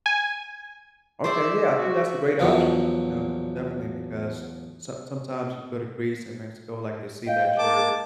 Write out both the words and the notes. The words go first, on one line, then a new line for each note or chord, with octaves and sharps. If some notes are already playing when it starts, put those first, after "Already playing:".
Okay. Yeah. I think that's a great option, you know? D definitely because some sometimes you go to Greece and Mexico, like, they see that you're
G#5
G#4 C5 D5 E5
F#4
E2 B2 F3 F#3
D#5 F5 G5
A#3 A5 D6